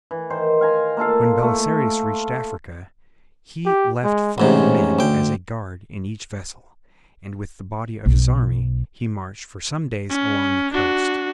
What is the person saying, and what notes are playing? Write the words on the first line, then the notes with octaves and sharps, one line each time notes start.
When Belisarius reached Africa he left five men as a guard in each vessel, and with the body of his army he marched for some days along the coast.
E3
D#3 C5
F5 G#5 A#5
A#3 F4 A4 F5
A3
G4
G#3
A1 G#2 C3 C#4
D2 G5
B1
C#4
D4 F#4